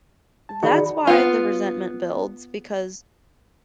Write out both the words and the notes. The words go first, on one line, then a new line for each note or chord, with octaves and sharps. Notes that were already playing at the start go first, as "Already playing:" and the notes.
that's why the resentment builds because
A5
D#3 D#4 F#4 G#4 D5 B5
B3 F4